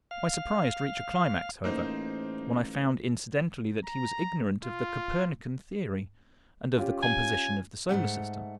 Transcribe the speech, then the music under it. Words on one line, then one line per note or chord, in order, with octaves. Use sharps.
My surprise reached a climax, however, when I found incidentally that he was ignorant of the Copernican Theory and of the composition of the Solar System.
F5
A1 A#3 D#4 C5
A#5
F4
C#4 F4 G4
G#5
G#2 F#3 A3 F#5